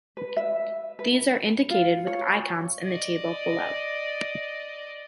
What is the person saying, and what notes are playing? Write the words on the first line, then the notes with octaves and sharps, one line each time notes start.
These are indicated with icons in the table below.
B4
E5
B4
F4
C#5
D5 D#5